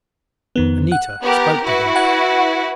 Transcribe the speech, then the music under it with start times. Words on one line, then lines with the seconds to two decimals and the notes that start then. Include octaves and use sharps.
Anita spoke to him.
0.56 F2 D#3 B3
0.91 F#5 F#6
1.23 B3 G4 A#4
1.64 E4 F#4 B4
1.96 F#5 G#6